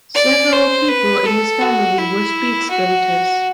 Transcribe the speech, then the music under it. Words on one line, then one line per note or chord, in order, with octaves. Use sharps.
Several people in his family were speed skaters.
D5
C5
B4
A4
F#4
E4
F#4